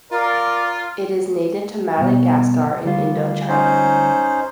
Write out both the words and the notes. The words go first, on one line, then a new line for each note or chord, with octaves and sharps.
It is native to Madagascar and Indochina.
F4 A#4 D5
G2 B2
D2 G3 F4
C#4 D#4 C5